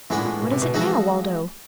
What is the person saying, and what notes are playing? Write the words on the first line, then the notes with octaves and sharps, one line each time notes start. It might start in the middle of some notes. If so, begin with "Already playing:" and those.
"What is it now, Waldo?"
A2 E3 G#3 B3 D4
A#2
A2
B2
C3
B2
E3 F3 G#3 C4 D#4 F#4